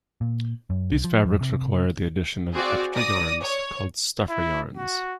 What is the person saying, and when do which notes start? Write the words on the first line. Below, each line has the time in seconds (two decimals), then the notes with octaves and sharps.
These fabrics require the addition of extra yarns, called stuffer yarns.
0.21 A#2
0.70 F#2
0.92 C2
1.04 F3
1.25 F2
1.41 C3
2.54 C4 F#4 G#4 D5 F5
2.95 D5 D#6 A#6
3.44 C#5
4.29 E4
4.77 F#4